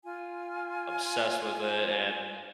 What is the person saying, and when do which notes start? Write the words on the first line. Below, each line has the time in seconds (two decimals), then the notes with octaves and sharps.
obsessed with it, and
0.04 F4 G#5